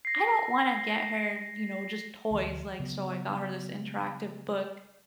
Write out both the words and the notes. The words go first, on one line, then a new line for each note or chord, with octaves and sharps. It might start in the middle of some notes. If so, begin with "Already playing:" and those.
"I don't wanna get her, you know, just toys, like" so, I got her this interactive book
A#6 C7
D2 E3
C#3 F#3 B3